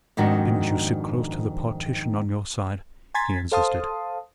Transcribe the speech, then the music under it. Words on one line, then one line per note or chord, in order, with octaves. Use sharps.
"Didn't you sit close to the partition on your side?" he insisted.
F2 G#2 D#3 D4 F#4
G#5 A#5 C6 G#6 A6 B6
A4 C5 F5 A5 C6 D#6